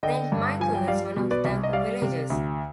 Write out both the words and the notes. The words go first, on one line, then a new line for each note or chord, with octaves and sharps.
Saint Michael is one of the Thankful Villages.
D3 D#5 G5
G2
F3 G#5
G5
G3 D5 F5
B2
B4 D5
C2
D#5
G3 D5 F5
C3
D2